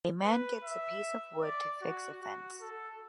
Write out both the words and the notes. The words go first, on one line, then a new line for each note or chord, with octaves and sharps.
A man gets a piece of wood to fix a fence.
B4
E5
D5
F#4
F#4
A4